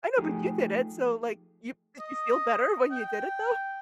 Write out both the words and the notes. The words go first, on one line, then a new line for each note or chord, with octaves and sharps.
I know, but you did it, so, like, you did you feel better when you did it, though?
F3 A3 D#4 G4 G#4
D#5
G5